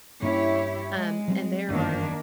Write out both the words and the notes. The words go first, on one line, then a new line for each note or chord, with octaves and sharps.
um, and there are
G2 A#3 C#4 E4 G4 C#5
G#3
F#3 G3 C4
G1 F#2 D#3 E3 A#3 D4